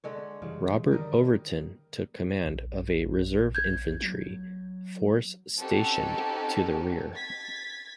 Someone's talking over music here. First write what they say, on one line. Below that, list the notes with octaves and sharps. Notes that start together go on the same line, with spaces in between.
Robert Overton took command of a reserve infantry force stationed to the rear.
D3 G#3 C#5
F#2 C#3 E3 G3
D3 D#3 G3 A#4 D#5
A#1
G6 G#6
F#3
C4 C#4 D#4 F#4 G4 A4
G#6 A6 B6